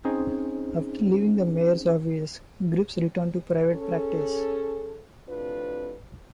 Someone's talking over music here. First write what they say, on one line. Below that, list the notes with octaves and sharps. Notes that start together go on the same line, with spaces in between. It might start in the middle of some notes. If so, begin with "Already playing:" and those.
After leaving the mayor's office, Gribbs returned to private practice.
C4 C#4 D#4 G#4 C5
C#4 G#4 A4
F2 A2 C3 D4 F4 B4